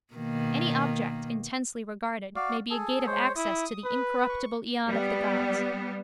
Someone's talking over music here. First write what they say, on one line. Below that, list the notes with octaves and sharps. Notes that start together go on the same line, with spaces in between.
Any object, intensely regarded, may be a gate of access to the incorruptible eon of the gods.
B2 D#3 A#3
F#4 D5 F5
G#4 A4
G#3 C5 C#5
E4 D#6
B4
C#6
G3 B3